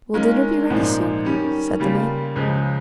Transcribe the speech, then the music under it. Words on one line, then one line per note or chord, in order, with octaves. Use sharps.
"Will dinner be ready soon?" said the man.
D#3 G#3 C#4 F4 A#4
A#1 G#2 F3 A#3 D#4
D#3 G3 C#4
C#3 G3 A#3 F4
C#2 C#3 F3 G#3